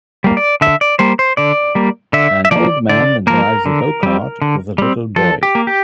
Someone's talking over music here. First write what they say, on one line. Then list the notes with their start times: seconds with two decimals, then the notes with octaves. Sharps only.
An old man drives a gocart with a little boy.
0.24 G3 A#3
0.37 D5
0.61 D3 E5
0.81 D5
0.99 G3 A#3 C5
1.19 C5
1.37 D3 D5
1.75 G3 A#3
2.13 D3 E5
2.45 E5
2.51 F3 A#3 D5
2.89 D3 D5
3.27 F3 A#3 A#4
3.66 D3
4.03 G3 C4
4.42 D3
4.78 G3 C4
5.16 F3 A4
5.43 G4
5.55 A#3
5.67 G4